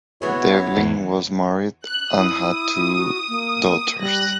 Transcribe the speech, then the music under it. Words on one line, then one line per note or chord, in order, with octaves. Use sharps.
Devlin was married and had two daughters.
B3 E4 F#4 G#4 C#5
E2
F#6
E4 D#6
F#4
A#3
G3 F#6 A#6